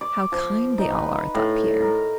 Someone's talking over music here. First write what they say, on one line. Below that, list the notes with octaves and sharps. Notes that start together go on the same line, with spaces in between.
"How kind they all are," thought Pierre.
D5
F3
D#4
B4
A2
A#4